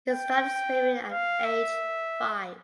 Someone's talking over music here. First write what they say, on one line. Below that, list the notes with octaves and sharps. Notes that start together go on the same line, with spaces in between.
He started swimming at age five.
G5
F5
E5